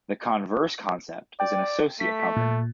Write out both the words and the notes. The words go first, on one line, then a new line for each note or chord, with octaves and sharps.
The converse concept is an associate company.
D5 G5
A3 B6
A#2